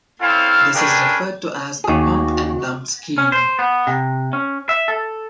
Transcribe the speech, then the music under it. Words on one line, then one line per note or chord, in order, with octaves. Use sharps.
This is referred to as a "pump and dump" scheme.
C4 C#4 E4 A4 F5
C#4 D4 G4 G#4 A#4 B4
D#2 F#4 G#4
C#4
C5
B3
C3
C#4
E5
A4